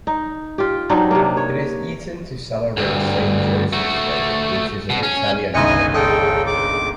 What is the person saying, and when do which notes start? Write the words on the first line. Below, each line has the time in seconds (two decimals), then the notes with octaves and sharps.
It is eaten to celebrate Saint Joseph's Day, which is an Italian holiday.
0.07 D#4
0.58 F4 G4
0.89 F#3 C4 D4 D#4
1.11 C3 A#3
1.37 C#5
2.77 D2 G2
3.73 A3 F#4
4.90 B2
5.03 C#4
5.54 G1 C#2 D#3 E4 D#5 G#5 C#6
5.94 A#1 C#3 A4 D#5 G5
6.47 D6